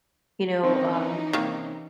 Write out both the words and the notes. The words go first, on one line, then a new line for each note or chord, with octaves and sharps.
you know, um,
D#3 E3 C4 C#4 D#4
C3 D#3 A#3